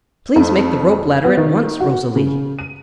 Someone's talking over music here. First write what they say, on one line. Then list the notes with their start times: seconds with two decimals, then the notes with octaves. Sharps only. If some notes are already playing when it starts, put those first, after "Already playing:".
"Please make the rope ladder at once, Rosalie!"
0.36 F2
1.24 B3
1.37 D#3
1.80 F#4
2.16 C#3
2.59 D#7